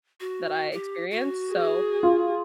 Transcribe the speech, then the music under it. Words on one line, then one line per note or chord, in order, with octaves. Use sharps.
that I experienced. So,
F#4
G4
F#4
G#4
F4